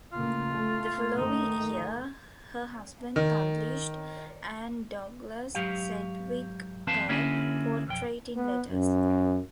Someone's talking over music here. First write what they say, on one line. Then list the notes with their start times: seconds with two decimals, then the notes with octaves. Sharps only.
The following year her husband published "Anne Douglas Sedgwick: A Portrait in Letters".
0.13 A2 C#3 A#3 F4
0.49 A2 A3
1.17 G#2 D#3 A3 D#4
3.16 D#3
5.55 G#2 F#3 G4 F5
6.87 F#2 E3 C4 B4 F5 A5
7.09 D3 A#3 C#4 E4 F#4 G#4
7.87 B1 F2 G5
8.37 B3
8.69 F#2